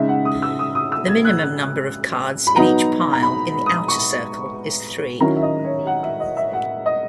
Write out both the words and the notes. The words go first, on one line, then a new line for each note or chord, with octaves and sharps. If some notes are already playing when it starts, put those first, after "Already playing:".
The minimum number of cards in each pile in the outer circle is three.
Already playing: C#3 G#3 D#4 E5
F#5
D#6
E6
D#6
D#6
E6
G#6
F#6
B5
F#3 B3 D#4 A#5
A#5
B5
D#6
C#6
D#3 F#3 C#4 E4 A#5
E5
D#5
C#5
F#5
E5
D#5
E5
F#5
D#5